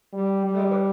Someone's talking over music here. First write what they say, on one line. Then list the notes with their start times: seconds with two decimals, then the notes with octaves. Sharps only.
No. But
0.13 G3
0.46 G3